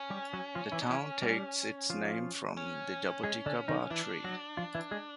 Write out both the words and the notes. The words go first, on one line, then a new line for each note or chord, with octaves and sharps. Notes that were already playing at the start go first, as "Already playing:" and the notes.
The town takes its name from the "jabuticaba" tree.
Already playing: C#4
G3 G4
F#3 F#4
F3 F4
E3 E4
D#4
E3 E4
G3 G4
F3 F4
C#4
G#3 G#4
D3 D4
D#3 D#4
E3 D4 E4
F#3 F#4
F3 F4
E3 E4
G#3 G#4